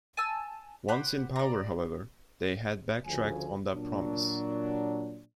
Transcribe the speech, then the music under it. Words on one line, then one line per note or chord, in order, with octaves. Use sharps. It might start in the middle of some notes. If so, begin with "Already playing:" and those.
Once in power however, they had back-tracked on that promise.
G#5 A5 E6
G4 C5 F#5 B5
D5 A#5
D2 C#3 F3 G#5
A#2 F#3 D4